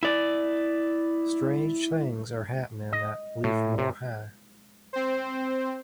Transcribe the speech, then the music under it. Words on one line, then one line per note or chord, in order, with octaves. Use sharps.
Strange things are happening at Leafmore High.
E4 D5
D#5
A2
C3
C4 C5